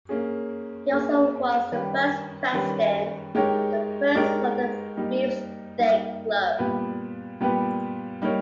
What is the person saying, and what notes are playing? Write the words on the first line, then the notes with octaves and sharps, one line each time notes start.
He also was the first president of the first London Beefsteak Club.
A#3 C#4 G#4
A#3 C#4 G#4
D#3 G3 C#4 G4 B4
D#3 G3 C#4 G4 B4
G#3 D#4 G4 A#4 C#5
G#3 D#4 G4 A#4 C#5
G3 A#3 D#4 G4
G3 A#3 D#4 G4
A#2 G3 B3 G4 B4
A#2 G3 B3 G4 B4
G3 A#3 D#4 A#4 C#5